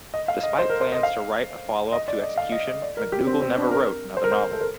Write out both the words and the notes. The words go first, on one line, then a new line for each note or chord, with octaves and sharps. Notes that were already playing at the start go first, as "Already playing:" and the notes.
Despite plans to write a followup to "Execution", McDougall never wrote another novel.
D#5
F5
D#5
C5
A#4
C5
D#5
F5
D#5
D5
D#5
F5
D#5
D#5
D5
A#4
G4
C4
C4
D4
A#4
C5
A#4
C5
A4
A#4